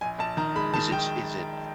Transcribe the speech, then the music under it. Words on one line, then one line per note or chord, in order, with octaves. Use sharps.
Is it s is it,
A#1 G#5
A#1 A5
D#3 A#5
G#3 B5
D#3 A5
D#3 G5